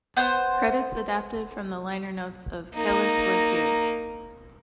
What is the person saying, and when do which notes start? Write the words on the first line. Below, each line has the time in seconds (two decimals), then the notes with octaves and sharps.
Credits adapted from the liner notes of "Kelis Was Here".
0.17 B3 C5
2.75 A#3 D#4